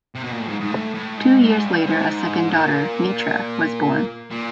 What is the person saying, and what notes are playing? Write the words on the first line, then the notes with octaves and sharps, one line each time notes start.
Two years later a second daughter, Mitra, was born.
C3
B2
A#2
A2
G#2
G#2
A2
A2
G#2
G#2
G2
G#2
A2
A#2
A#2